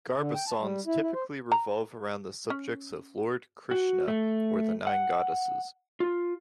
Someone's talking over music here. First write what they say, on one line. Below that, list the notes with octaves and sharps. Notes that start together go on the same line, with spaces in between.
Garba songs typically revolve around the subjects of Lord Krishna or the nine goddesses.
D3
G5
A5
G3
E4
E4
C5
A#5
C#4
F#4
A3
F#5
F4